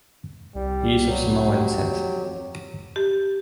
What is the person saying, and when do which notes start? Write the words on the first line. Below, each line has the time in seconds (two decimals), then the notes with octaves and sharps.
He is of Samoan descent.
0.55 C2 G3
1.07 F#3
1.51 G4
1.85 F2
2.96 G4